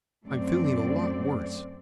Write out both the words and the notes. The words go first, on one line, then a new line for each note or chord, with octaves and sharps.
"I'm feeling a lot worse."
F#2 A3 C4 D5